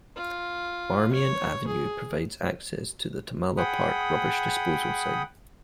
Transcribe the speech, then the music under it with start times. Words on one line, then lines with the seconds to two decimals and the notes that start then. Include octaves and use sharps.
Marmion Avenue provides access to the Tamala Park Rubbish Disposal Site.
0.16 F4
1.13 C#5
1.67 G#4
3.57 G#4 F#5 G5 B5 D#6